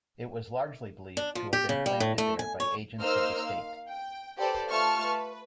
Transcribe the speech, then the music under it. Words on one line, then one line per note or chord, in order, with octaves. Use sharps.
It was largely believed to have been planted there by agents of the state.
D4
F3
G4
C#3
G3
A2
A3
G#5
C#5
A#3 D#4 C5 C6 E6 F6
F5
G5
G4 A4 B4 C5 D5
A3 F4 A5 C#6 F6
B4